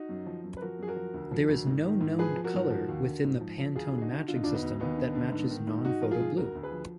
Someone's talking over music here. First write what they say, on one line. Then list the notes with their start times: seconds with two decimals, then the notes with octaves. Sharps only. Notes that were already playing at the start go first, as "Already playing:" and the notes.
There is no known colour within the Pantone Matching System that matches non-photo blue.
Already playing: D#4 F#4
0.09 F#2
0.26 F3
0.44 F#2
0.57 B4
0.62 F3 F#4 A#4
0.79 F#2 G#4
0.87 F#4 A#4
0.96 F3
1.14 D2
1.31 F3
1.48 D2
1.67 G#2
1.84 D#3
2.01 G#2
2.19 F3 G#4 B4
2.36 F3
2.44 F#4 A#4
2.54 G#2
2.70 F3
2.88 D#2
3.06 D3
3.24 G#2
3.41 F3
3.58 F3
3.75 D2 F4 G#4
3.93 D3 G#4
4.01 D#4 F#4
4.10 D3
4.28 D3 F4
4.36 D#4
4.43 D2 D4 F4
4.54 B3 D#4
4.62 D2
4.80 D#2 B3 D#4
4.97 D3
5.15 D3
5.32 G#2
5.50 D#3
5.67 G#2
5.85 G#2 D#4 F#4
6.02 F3 A#4
6.11 F4 G#4
6.20 G#2
6.36 D2 F#4 A#4
6.55 D2
6.63 G#4 B4
6.71 F3